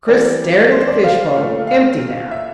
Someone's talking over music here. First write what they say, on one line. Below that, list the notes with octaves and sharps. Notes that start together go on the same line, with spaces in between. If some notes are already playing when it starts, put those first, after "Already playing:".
Chris stared at the fishbowl, empty now.
E3 G3 C4 D5
C5
D5
F5
A#2 F3 A3
F5
E5